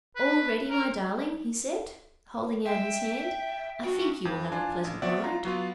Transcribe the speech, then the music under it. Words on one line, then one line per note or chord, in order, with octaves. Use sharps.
"All ready, my darling?" he said, holding out his hand; "I think you will have a pleasant ride."
B4
A#4
E5 G5
D4 F#4 G5
F2
D4 F4 G#5
A1
B3 C4 F#4 D5 E5 F#5
F4 A#5
F#3 B3 F4